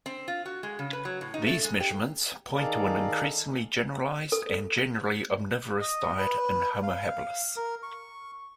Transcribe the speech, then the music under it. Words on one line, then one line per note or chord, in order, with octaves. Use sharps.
These measurements point to an increasingly generalized, and generally omnivorous diet in "Homo habilis".
C4
F4
F#4
G#3
C#3
B4
F#3
A2
D#4
A3
G#3
G4
D#3 G#4 A4 D5 F5 A#5
A4
D#5
B4
F5
A#4
C#6